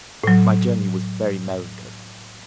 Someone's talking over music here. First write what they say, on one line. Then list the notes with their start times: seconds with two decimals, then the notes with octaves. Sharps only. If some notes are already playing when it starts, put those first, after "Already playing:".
My journey was very melancholy.
0.24 A2 F#3